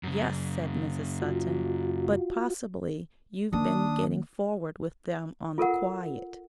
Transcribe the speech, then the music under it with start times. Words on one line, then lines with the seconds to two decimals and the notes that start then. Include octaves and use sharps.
'Yes,' said Mrs. Sutton; 'but possibly you've been getting forward with them on the quiet.'
0.03 F#2 C#3
1.22 F4 F#4
3.53 D#3 A#3 D4 D#6
5.58 F4 A4 A#4 F#5